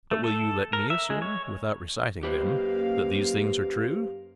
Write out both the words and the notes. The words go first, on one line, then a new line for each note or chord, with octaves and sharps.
But will you let me assume, without reciting them, that these things are true?
A3
A4
A#4
E5
G#3
C#5
F#2 A#3 G4 B4 C5 F5